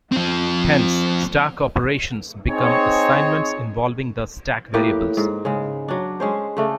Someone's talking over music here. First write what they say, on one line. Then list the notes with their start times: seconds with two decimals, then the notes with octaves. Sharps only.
Hence stack operations become assignments involving the stack variables.
0.12 F3 C4
2.48 C4 D#4 G#4 C#5
4.74 A2 A#3 G4 B4
5.17 G#2
5.45 C#3 G#3
5.88 F#3 D4
6.20 G#3 C#4 C5
6.57 C#3 A3 D4